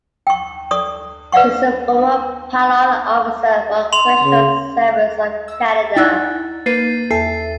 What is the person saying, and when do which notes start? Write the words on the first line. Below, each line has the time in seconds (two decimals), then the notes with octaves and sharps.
She is a former parole officer for Correctional Service of Canada.
0.27 G5 C#6
0.71 A4 D5 C#6 D#6
1.32 B4 D5 F5 F#5 C#6
3.93 C6 F7
4.24 C#3
5.48 E6
5.96 D#4 E4 D5 F#5 G#5 E6 F#6 A6
6.66 A#3 B4 G6 A6 C7 D#7
7.11 E2 A4 E5 C7